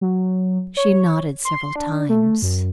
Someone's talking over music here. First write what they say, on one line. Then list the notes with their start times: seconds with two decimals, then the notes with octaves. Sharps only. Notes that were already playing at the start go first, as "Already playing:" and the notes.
She nodded several times.
0.01 F#3
0.77 C#5
1.45 C6
1.76 D4
2.09 A3
2.42 F#2